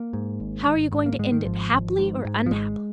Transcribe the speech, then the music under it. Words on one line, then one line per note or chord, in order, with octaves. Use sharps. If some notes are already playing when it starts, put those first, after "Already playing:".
"How are you going to end it--happily or unhappily?"
Already playing: A#3
G#2
G#1
G#1
G#2
A#3
G#2 G#3
D#3
G#1 F3
G#1
G#2
G#2
F3
G#1 G#3